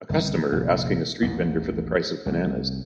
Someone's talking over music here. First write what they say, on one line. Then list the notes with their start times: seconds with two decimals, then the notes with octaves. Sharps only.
A customer asking a street vendor for the price of bananas.
0.10 G1 C2 C#3
0.52 F1 A#1
1.22 A1 D#2
2.26 C2